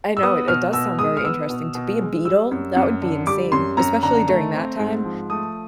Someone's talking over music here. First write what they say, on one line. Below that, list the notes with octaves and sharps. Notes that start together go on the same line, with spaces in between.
I know it it does sound very interesting to be a Beatle, that would be insane, especially during that time.
E6
B3 D#6
B2 F6
B2 E6
G#3 D#6
F6
B3 E6
B2
B2
G#3
G3 E6
F#2
F#2
D3
G3 D6
F#2 C6
F#2 A#5
D3 A#5
A3
C4
G#2
F3
A3 D#6